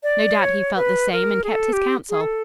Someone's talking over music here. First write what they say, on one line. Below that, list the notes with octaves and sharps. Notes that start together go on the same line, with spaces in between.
No doubt he felt the same and kept his counsel.
D5
C#5
B4
A#4
G#4
A4
G4
G#4
A4